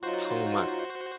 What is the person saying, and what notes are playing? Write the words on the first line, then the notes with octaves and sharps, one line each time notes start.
Oh my
F#3 D#4 F4 F#4 C5